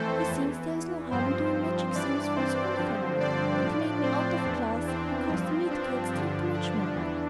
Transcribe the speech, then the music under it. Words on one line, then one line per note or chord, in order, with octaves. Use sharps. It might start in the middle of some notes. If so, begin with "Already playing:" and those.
He thinks there's no harm in doing magic things for his own family, and he made me out of glass because the meat cats drink too much milk.
Already playing: F2 E3 A3 C4 A4 C5
E2 E3
G2 F3 C4 C5
G2 E3 D4 D5
C4 C5
G2 D3 F3
D4 D5
A2 F3
C4 C5
E2 E3 D4
C4
G2 F3
D4
G2 D3 F3 D4
D4
E2 E3